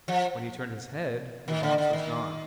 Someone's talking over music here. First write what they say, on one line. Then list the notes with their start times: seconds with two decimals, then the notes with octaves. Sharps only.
When he turned his head, the box was gone.
0.08 F3
1.48 D#3
1.63 D3
1.78 D3
1.93 D#3